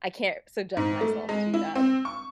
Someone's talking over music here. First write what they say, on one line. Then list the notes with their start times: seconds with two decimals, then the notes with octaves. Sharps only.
I can't subject myself to that
0.77 G#2
1.01 A3
1.29 G#3
1.54 E4
1.76 C4
2.05 C#6